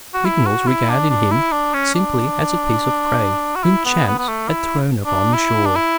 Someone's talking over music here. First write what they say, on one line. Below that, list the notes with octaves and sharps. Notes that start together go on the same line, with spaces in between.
Vignolles regarded him simply as a piece of prey whom chance had thrown up on the shore.
F#4
E4
F#4
E4
D4
D4
E4
D4
C#4
D4
F#4
E4
B3
B3
B3
A3
E4
D4
E4
D4
E4